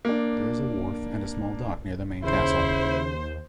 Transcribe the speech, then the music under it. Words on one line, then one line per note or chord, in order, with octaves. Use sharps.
There is a wharf and a small dock near the main castle.
A#3 D4
D#2 C#3 E4 C5